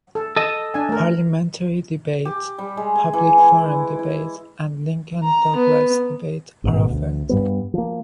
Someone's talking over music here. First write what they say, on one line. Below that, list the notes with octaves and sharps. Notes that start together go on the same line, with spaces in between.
Parliamentary Debate, Public Forum Debate and Lincoln Douglas Debate are offered.
A4
A4 D#5 A5
D4 G#5
A3 A#4
G4
G3
G#3
G#5
E3
E4
E4
A#5
B3
A1 G#2 B2
D2
G2 G3 B3
F3 A#3